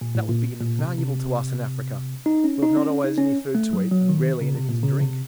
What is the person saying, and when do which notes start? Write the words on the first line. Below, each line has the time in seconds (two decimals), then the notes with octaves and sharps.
"That would be invaluable to us in Africa, who have not always any food to eat, and rarely anything to drink."
0.01 A#2
0.15 A2
0.29 A#2
0.61 A#2
0.79 C3
0.98 C3
2.26 D#4
2.44 C#4
2.63 D#4
2.77 C#4
2.90 C#4
3.04 D#4
3.18 C#4
3.55 A3
3.73 F#3
3.91 F#3
4.09 D#3
4.41 C#3
4.55 C3
4.69 A#2
4.83 C#3
5.01 C3